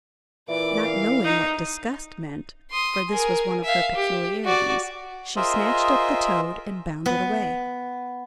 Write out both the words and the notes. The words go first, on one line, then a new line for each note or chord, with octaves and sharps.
Not knowing what disgust meant, for this was one of her peculiarities, she snatched up the toad and bounded away.
A#2 E3 D5 D6
F5
D#4
C6 D#6
G#4 A#4
E5 F5
G4
F#4 D5
F4 G#4 A#4 C5 D#5 E5
B3